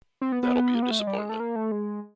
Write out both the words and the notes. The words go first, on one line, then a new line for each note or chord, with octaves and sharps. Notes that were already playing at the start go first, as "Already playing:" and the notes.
That'll be a disappointment.
C4
B3
B3
A#3
B3
A3
G#3
G3
G#3
A3
A#3
A3
G#3